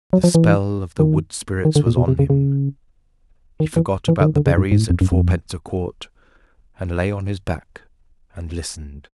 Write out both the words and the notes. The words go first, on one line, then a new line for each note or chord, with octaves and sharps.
The spell of the wood spirits was on him; he forgot about the berries at fourpence a quart, and lay on his back and listened.
F#3
F3
E3
D#3
D#3
D3
A#2
B2
C3
C#3
C#3
D#3
E3
E3
D3
D#3
D3
C#3
G2
G#2
A2
F2
F#2
F2